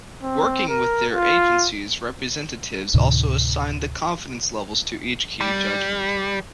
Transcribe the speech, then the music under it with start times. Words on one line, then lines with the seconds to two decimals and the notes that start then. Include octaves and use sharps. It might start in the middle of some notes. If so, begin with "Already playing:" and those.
Working with their agencies, representatives also assign the confidence levels to each key judgment.
0.23 C4
0.68 A#4
1.12 F4
2.94 D2 A2 C3 D#3
5.41 G3